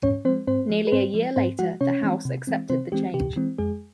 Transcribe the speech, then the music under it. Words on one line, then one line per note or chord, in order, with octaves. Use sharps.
Nearly a year later, the House accepted the change.
G#2 C#4 C#5
F3 G#3 C4 C5
G#2 C4 C5
F3 G#3
B4
G#2 C4 C5
F3 G#3
G#2 C4 C5
F3 G#3 F#4 F#5
C3 C#4 C#5
E3 G#3 C4
C3
E3 G#3 C4
C3 C4 C5
E3 G#3 C4 G4
C3 G4
E3 G#3 C4
F2 G#3 G#4